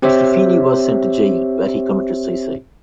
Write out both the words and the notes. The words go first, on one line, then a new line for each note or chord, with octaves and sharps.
Mr. Feeny was sent to jail, where he committed suicide.
C4 G4 C5 C#5 E5